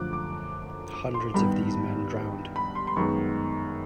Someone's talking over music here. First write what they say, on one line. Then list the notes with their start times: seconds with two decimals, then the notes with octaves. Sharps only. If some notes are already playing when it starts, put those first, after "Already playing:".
Hundreds of these men drowned.
Already playing: F#2 D3 F3 A3 D6 F#6
0.13 D6
0.93 D6
1.14 C6
1.34 G2 D#3 G3 B3 B5
2.56 B5
2.75 C6
2.87 C6
2.96 F#2 D#3 G#3 B3 C#6